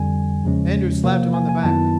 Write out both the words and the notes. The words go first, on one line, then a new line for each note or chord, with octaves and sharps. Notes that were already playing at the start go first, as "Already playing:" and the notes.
Andrews slapped him on the back.
Already playing: F2 D3 G3 G#5
E2 C#3 F3 G#3 C#4
C3 F3 A#3
G#5
G#5
F#2 D#3 F#3 B3 E4 A5